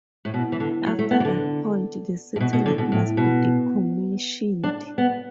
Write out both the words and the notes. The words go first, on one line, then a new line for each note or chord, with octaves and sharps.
After that point, the satellite must be decommissioned.
A2
B2
E3
D3
F#3
A3
B3
E3
D3
A2
B2
B2
D3
B2
A2
B2
D4
B3